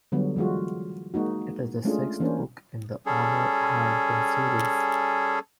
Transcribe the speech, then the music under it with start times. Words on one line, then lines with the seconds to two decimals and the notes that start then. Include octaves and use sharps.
It is the sixth book in the Honor Harrington series.
0.12 D3 F#3 G3 B3
0.36 E3 F#3 G#3 F4 F#4
1.14 G#3 A#3 D#4 F#4
1.85 G#3 A3 C#4 D4 F4 G#4
2.20 E3 A#3 C#4 D4 C5
3.06 G3 C#4 G#4 A4